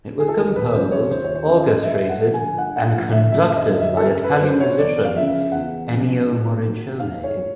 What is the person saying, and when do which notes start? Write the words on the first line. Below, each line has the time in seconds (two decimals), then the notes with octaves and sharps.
It was composed, orchestrated, and conducted by Italian musician Ennio Morricone.
0.19 G#4
0.28 A4
0.36 D#2 A#4
0.56 B4
0.73 C#3 F3 C5
0.92 C#5
1.11 D#2 C5
1.24 C#5
1.35 C5
1.47 C#3 F3
1.60 D#5
1.84 G2 E5
2.09 F#5
2.22 D3 F3
2.34 G#5
2.58 G2 F#5
2.76 F#5
2.95 D3 F3 F5
3.12 E5
3.32 F#2 E5
3.56 D#5
3.69 D3 F#3
3.80 E5
3.97 A4
4.05 F#2 A#4
4.24 B4
4.42 D3 F#3 C5
4.60 C#5
4.78 E2 D5
5.05 F5
5.16 C#3 F3 E5
5.52 E2 F#5
5.89 C#3 F3
6.26 G#2
6.63 D#3 F#3
7.00 G#2 F5
7.24 C#5
7.37 F#3